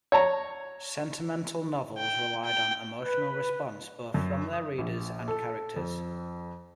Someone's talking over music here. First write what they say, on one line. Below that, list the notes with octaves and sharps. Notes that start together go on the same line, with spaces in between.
Sentimental novels relied on emotional response, both from their readers and characters.
C#5 A5 A#5
G5
G5
B4
F#2
D#6
A#1
A4
F2